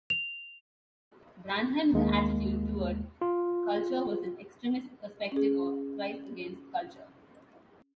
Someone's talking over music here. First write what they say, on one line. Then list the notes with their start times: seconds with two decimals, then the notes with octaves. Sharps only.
Branham's attitude toward culture was an extremist perspective of "Christ against Culture".
0.10 F7
1.93 D#2 G#3 A#3
3.21 F4
5.32 C#4 G#4